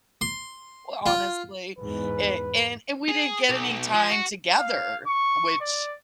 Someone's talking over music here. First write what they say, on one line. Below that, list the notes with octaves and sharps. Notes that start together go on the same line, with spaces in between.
honestly, it and and we didn't get any time together, which,
C6
F4
E2 G#2 B4
G#4
B1
F3
F#4
F5
C#6
D5